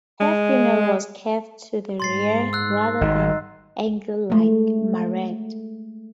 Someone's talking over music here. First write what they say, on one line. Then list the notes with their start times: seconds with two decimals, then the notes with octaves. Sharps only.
Her funnel was curved to the rear rather than angled like "Marat".
0.20 G#3
2.00 G#2 C6 A6 C7
2.53 E6 F#6
3.01 G#1 D#4
4.30 G#3 A3